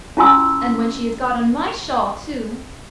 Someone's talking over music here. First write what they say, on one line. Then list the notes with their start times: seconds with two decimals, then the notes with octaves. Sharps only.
And when she has got on my shawl, too!
0.17 C#4 E4 F4 G#5 C6 E6